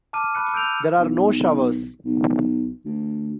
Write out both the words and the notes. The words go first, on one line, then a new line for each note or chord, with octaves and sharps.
There are no showers.
A5 D6 F6 D#7
A5 B5 F#6 C#7
E6 G6 D7 D#7 F7
B1
B1
D2